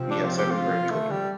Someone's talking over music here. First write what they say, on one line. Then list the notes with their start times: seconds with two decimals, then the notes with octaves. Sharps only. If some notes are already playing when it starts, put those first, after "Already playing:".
He has seven grandchildren.
Already playing: C3 F3 C4
0.11 D4
0.24 F4
0.38 G4
0.51 F4
0.91 A3
1.11 G3